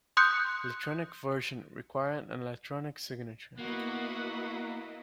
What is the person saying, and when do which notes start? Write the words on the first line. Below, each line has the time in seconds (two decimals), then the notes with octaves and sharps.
Electronic versions require an electronic signature.
0.17 C6 D#6 F#6 G6 C#7
3.59 A#3 B3 E4 F#4 D#5 F#5